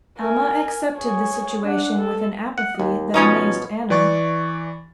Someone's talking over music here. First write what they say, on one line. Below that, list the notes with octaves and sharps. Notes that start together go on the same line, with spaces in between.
Alma accepted the situation with an apathy that amazed Anna.
A#4 G#5
G#4 C#5
D4 F#5
A4
F#5
D#2
B2 F3 C#4 D#4 C#5
E3 D5 C#6 A6